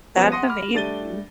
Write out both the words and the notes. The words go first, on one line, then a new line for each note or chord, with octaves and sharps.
That's amazing.
F3 G3 B3 C#4
F#5 C6 D#6 A#6 D#7
B5 D6 F6
G3 A3 D4 A6 D#7 G7